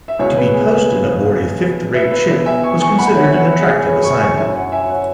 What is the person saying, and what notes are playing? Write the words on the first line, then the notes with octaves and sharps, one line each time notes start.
To be posted aboard a fifth-rate ship was considered an attractive assignment.
E5
C#2 B2 F#3 E4 G#4 C#5
B4
G#4
B4
B4 E5
B4 E5
B2 B3 E4 B4
E5 G#5
G#5 C#6
G#5 C#6
F#5 B5
C#5 F#5
C#5 F#5
G#4
G#4 C#5
G#5 C#6
G#5 C#6
F#2 F#3 C#4 E4 E5 G#5
C#5 F#5
E5 G#5
C#5 F#5